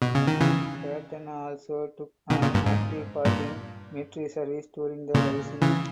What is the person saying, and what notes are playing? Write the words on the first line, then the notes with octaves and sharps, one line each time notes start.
Patten also took an active part in military service during the rising.
B2
C#3
D#3
C#3 E3
B2 D#3
A#2 C#3
G2 A#2
G#2
G2 A#2
A#2 C#3
C#3 E3